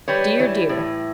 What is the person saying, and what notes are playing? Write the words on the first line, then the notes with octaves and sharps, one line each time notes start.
Dear, dear!
G3 B4 C#5
E3
A2